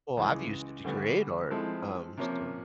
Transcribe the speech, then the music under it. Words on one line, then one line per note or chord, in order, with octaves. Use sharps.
Well, I've used it to create art, um, so,
C#2 C#3 E3 G#3
D2 D3 G3 B3
F3 G#3 C4 E4 A4
C3 F3 A#3 C#4